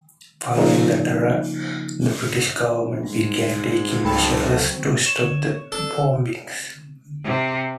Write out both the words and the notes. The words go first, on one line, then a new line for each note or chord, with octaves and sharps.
Following the terror, the British government began taking measures to stop the bombings.
C#3 F3 A#3 D#4
G#2 G3
C#2 F#3 C4 A4 G5 A5 B5
C#5 E7
D4 A4
C3